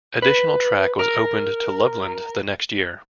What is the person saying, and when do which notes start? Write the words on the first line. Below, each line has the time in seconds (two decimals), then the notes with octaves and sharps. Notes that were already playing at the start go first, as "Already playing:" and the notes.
Additional track was opened to Loveland the next year.
0.22 B4
0.99 A#4